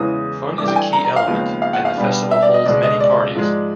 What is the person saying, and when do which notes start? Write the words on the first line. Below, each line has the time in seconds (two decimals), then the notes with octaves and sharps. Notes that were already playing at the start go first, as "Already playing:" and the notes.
Fun is a key element, and the festival holds many parties.
Already playing: E2 C#3 E3 G#3 D#6
0.58 G2 E3 A3 D4 D6
0.68 G5
0.76 G#5
0.93 A#5
1.05 A#5
1.16 F5
1.27 D#2 C#3 F3 G#3 B3
1.62 F5
1.73 F#5
1.85 F5
1.97 B2 G3 B3 D4
2.31 E5
2.42 D5
2.54 D#5
2.66 C#2 B2 G#3 D5
2.83 D#5
3.00 D5
3.35 G#2 F3 G#3